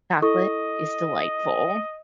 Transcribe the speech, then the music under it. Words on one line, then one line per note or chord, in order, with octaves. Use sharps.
Chocolate is delightful.
E4 A4 D#5 C#6